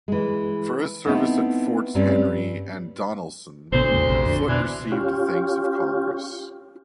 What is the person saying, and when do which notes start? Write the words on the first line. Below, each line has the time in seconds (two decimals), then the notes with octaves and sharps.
For his service at Forts Henry and Donelson, Foote received the Thanks of Congress.
0.08 E3 G#3
1.07 A3 B3 C4 D#4 E4
1.95 G2 G3 C4 C#4
3.72 A1 D2 C3 B3 C5
3.91 E2 C#3 A3
4.05 A#1 C3
4.25 F2 D3
4.48 B2 E3 D4
4.92 C#4 F4 G4